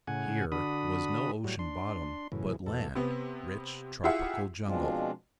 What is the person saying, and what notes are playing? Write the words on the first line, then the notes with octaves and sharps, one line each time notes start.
Here was no ocean bottom, but land, rich tropical jungle.
A2 C#3 F#5 G#5
D3 D4 F#4 B5 D#6
A2 F#3 G3
D4 C6
F#2 A2 C#3 E3
E2 B2 A4
C3 B3
E4 F4 G4 G#4 E5 F#5
B2 F3 G#3 C4 D4 F4